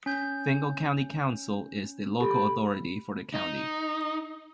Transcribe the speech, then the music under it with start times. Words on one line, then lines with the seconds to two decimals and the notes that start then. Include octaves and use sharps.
Fingal County council is the local authority for the county.
0.06 C#4 G6
2.20 G4 A4 B5
3.34 D#4